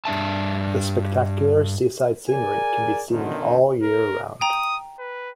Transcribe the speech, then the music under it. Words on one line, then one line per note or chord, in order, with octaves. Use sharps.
The spectacular seaside scenery can be seen all year round.
G2 D4 E5 A5
G#4 A#4 D5 G#5
F#2 B2 D3 D#3
A#4
G5 A#5 D#6
B4